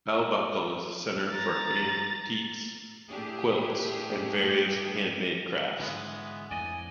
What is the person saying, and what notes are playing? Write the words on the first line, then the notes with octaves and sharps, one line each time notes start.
Bell Buckle is a center for antiques, quilts, and various handmade crafts.
A#5 A6
A2 A3 D4 G4 G#4
G#2 D3 E3 G#3 B3
F2 A2 D5 D#5 G#5